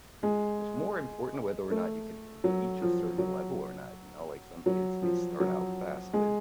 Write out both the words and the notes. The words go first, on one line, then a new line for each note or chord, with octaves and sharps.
it's more important whether or not you can reach a certain level or not, you know, like some kids may start out fast, but,
G#3
A3
F#3
F3
F#3
F#3
F3
F#3
G#3